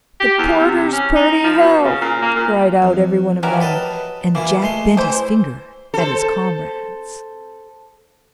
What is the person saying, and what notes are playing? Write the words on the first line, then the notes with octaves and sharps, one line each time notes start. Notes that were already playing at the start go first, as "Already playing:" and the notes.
"The porter's purty health!" cried out every one of them, and Jack bent his finger at his comrades.
G4
E2
C3
C#4
D#4
F3
B2
C#3
A#2
A#3
A#2
F2
E3 F#3 G3 A#4
B4 D#5 A5
E3 A#3 E4 F4
G#3 A3 C6
E3 C5
A4 C5